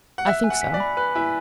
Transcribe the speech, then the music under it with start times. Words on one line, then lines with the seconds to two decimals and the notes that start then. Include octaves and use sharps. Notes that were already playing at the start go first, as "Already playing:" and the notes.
"I think so."
0.18 F#5
0.26 E5 F#6
0.44 G#5
0.50 F#5
0.62 B6
0.74 D5
0.80 B5
0.97 B4 F#6
1.15 E4 G#5